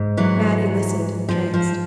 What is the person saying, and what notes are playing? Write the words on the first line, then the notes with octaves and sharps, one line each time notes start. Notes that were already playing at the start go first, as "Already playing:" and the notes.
Mattie listened entranced.
Already playing: G#2
E3 F#3
F3
F3